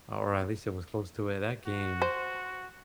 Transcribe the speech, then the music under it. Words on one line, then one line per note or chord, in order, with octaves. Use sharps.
or at least it was close to it. That game
F#4
C5